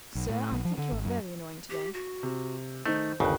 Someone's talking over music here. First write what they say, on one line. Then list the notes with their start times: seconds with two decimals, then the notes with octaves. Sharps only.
"Sir, I think you are very annoying to-day."
0.15 B1
0.29 A2
0.52 B1
0.65 F3
0.78 D3
0.92 G#1
1.05 F#2
1.70 G4
1.94 F#4
2.23 C3
2.86 D#3 A3 D#4 C5
3.20 G1 D#2 C#3 A5 F#6